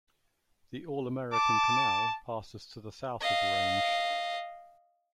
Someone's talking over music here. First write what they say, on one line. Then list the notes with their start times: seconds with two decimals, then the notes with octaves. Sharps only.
The All American Canal passes to the south of the range.
1.33 A5 D6
3.21 D#5 F5